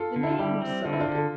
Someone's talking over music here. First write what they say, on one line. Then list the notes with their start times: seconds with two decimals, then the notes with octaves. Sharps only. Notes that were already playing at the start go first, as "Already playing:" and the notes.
The name will sell it!
Already playing: F4 A4
0.16 D3
0.23 E4
0.31 F4
0.39 G3 E4 G4
0.62 C4
0.84 D3 F4
0.93 E4
1.00 D4 F4
1.08 D3
1.15 F4 A4